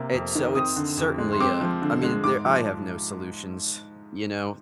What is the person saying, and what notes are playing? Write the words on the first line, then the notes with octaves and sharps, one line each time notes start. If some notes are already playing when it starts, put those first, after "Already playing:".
It's so it's certainly, uh, I mean, there I have no solutions, you know.
Already playing: C3 A#3
F2
D#3
C4 D#6
D3
F2
G#3
C6
C4 D6
F3
D3
G#3
G#2 D6
F3